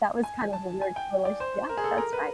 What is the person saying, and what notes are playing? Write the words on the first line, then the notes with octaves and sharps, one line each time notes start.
that was kind of a weird push. Yeah, that's right.
G#5
A5
G#5
G5
D5
C5
A#4
G#4
A4
A#4
B4